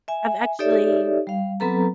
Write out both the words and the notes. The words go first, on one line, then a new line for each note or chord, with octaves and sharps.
I've actually
E5 G#5
D#4 G4 A4 C#5 D5 E5
G3 F5
F#3 B3 C4 A4 B4 A#5